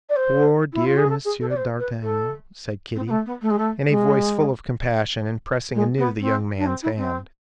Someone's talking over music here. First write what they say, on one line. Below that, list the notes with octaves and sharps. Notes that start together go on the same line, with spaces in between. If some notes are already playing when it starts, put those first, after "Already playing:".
"Poor dear Monsieur d'Artagnan," said Kitty, in a voice full of compassion, and pressing anew the young man's hand.
D5
C5
E4
F4
G#4
A4
G#4
A4
D5
C5
B4
A4
C4
B3
A3
B3
A3
G#3
A3
G#3
G#3
B3
C4
D4
C4
E4
C4